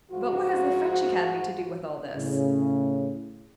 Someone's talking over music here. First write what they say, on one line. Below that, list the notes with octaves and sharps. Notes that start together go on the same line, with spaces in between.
"But what has the French Academy to do with all this?"
G#2 F3 F4 F#4
A2 C#3